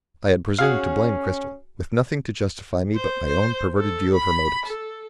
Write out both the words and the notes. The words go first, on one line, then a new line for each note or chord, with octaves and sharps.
I had presumed to blame Cristel, with nothing to justify me but my own perverted view of her motives.
C#4 F#4 G#4 F5
C5
C5
A4
B5
A4